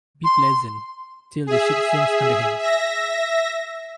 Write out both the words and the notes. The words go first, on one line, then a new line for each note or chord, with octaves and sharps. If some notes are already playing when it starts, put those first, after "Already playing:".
Be pleasant, till the ship sinks under him.
C6
G#4 E5
E5 A#6